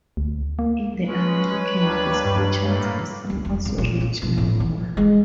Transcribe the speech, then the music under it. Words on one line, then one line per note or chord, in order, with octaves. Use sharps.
In the American Disco charts the song also reached number one.
D2
A#3
G#3 C#4 B4
C#5
D#2 G3 D4
G2
A2 A3 A#3
D2
F1
C#3
A#2
F2
B2
A2
E3
G#3